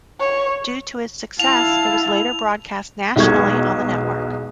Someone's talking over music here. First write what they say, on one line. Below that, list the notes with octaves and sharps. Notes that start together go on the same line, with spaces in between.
Due to its success, it was later broadcast nationally on the network.
C#5
E4 F5 A5 F7
B1 E2 B2 G#3 C#6 G#6